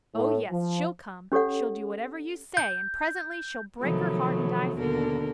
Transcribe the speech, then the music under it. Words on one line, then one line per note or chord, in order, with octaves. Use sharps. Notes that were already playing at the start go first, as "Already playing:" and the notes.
Oh, yes, she'll come! she'll do whatever you say, and presently she'll break her heart and die for you.
A2
F3
C#4 G4 A4 C#5 F#5
G6
C3 D#3 F3 F#3 A3 B3
D#2 B2 D3 D4 A4 A#4